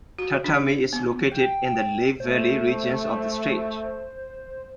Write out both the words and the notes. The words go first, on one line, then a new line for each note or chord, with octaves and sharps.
Tatamy is located in the Lehigh Valley region of the state.
F#4
D4
B3
G5
A3 C5